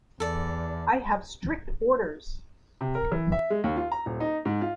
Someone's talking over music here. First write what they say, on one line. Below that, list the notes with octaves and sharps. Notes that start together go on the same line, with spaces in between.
I have strict orders.
E2 A4 D5
C3
A#4
E3
E5
G#3
D#2
F4
A#5
D#1
D#4
G#2
F4